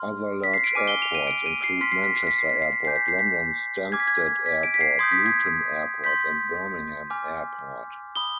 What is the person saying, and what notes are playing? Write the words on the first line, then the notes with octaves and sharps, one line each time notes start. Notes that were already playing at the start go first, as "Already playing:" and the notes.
Other large airports include Manchester Airport, London Stansted Airport, Luton Airport and Birmingham Airport.
Already playing: C6 F6
B6
C7
D7
G#5 D6 F6 D#7
G7
F7
D#7
D7
D#7
C7
C6 F6 B6
C7
B6
C7
B6
C7
B6
C7
B6
G#5 D6 G6 C7
B6
C7
B6
G#5 D6 F6 G#6
B6
G#6
B6
D7
B6
C7
C6 D#6 G6 G#6
B6
G#6
C6 G6 B6
G#5 D6 F6
G#5 B5 D#6 G7